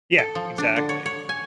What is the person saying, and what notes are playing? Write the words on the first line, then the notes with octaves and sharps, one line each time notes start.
Yeah. exactly.
A4
F3
D4
D3
C#5
C#5
G#5